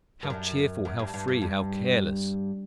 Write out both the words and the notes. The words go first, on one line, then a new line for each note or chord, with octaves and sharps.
How cheerful, how free, how careless!
G2
F#2
F#2
G2
G2
G2
G2